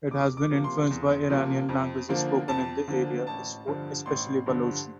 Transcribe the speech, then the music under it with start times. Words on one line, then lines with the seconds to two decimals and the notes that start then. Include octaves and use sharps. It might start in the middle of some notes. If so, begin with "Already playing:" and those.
It has been influenced by the Iranian languages spoken in the area, especially Balochi.
0.11 E2 D6
0.37 D6
0.50 C3 F3 A#3
0.64 C6
0.91 E2
1.30 C3 F3 A#3
1.69 F2
2.09 D3 F3 A#3
2.48 F2 A5
2.88 D3 F3 A#3
3.27 A1 A5
3.67 G2 D3 F3
4.06 A1 C6
4.46 G2 D3 F3